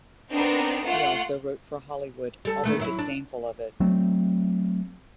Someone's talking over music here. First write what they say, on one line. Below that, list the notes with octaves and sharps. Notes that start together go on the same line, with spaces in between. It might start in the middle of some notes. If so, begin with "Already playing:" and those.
He also wrote for Hollywood, although disdainful of it.
B3 C4 D4 D#4 A#4
A3 F4 F5 F#5 C6
G3 A4
D#3 A3 B3
F#3 E4
D4
F#3 A3 C4